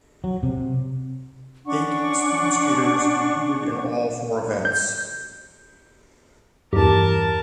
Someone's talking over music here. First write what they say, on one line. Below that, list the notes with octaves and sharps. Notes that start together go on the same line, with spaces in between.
Eight speed skaters competed in all four events.
F#3
C3
C#4 D4 F#5 C#6
G6
E2 G2 G4 A#4 A5